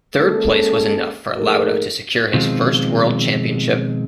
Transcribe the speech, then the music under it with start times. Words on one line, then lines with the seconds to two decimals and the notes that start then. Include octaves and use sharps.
Third place was enough for Lauda to secure his first world championship.
0.16 G#3 A#3 C#4 A4
1.37 A#1 G#2 G#3 A3 A#4
2.34 B2 D#3 F3 G#3 C4 F4